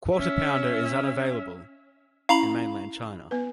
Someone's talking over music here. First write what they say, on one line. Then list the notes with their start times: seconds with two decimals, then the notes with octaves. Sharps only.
Quarter-Pounder is unavailable in mainland China.
0.16 C#4 E5
2.29 C#4 E4 F5 A#5 B5
3.31 B3 B4